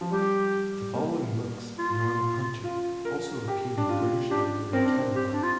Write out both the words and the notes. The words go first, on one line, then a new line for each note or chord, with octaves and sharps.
The following books by Norman Hunter also appear in the British Library catalogue.
F3
G3 G4
A#3
F4
F4
A#4
G4
D4
F4
D4 G4
C4 A#4
D4
C4
G4
D4
F4